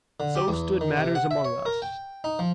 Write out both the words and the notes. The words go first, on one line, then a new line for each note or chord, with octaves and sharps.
So stood matters among us.
D3
G4
E2
D#3
C3
F#5
E5
C#5
A#4
G5
D#4
F3